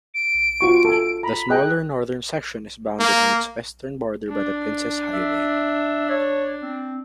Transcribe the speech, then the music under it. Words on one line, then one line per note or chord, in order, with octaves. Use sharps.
The smaller northern section is bounded on its western border by the Princes Highway.
D7
F4 F#4 C#6
A4 G#5
A#5 B5
G#4 D#5 G5 F#6
A#3
D4
E5
C#5
C4